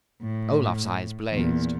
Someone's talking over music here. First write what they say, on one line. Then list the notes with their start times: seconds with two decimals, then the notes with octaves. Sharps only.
Olaf's eyes blazed.
0.22 A2
1.32 E2 A#2